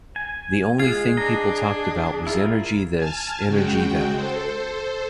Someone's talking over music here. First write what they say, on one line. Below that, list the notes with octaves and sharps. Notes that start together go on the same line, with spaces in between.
The only thing people talked about was energy this, energy that.
G#5
G#3 F4 G#4 G#6 C7
D4 D#5 A#5
E4 F4 A#4
G#5 A5 F6
C#3 G#3 F#4 G5
A4 C5